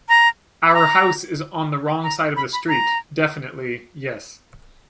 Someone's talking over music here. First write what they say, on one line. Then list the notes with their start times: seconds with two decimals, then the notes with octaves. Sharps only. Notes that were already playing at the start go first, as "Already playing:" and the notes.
Our house is on the wrong side of the street — definitely — yes.
0.09 A#5
0.69 B5
0.74 A#5
2.03 A#5
2.36 B5
2.53 B5
2.68 A#5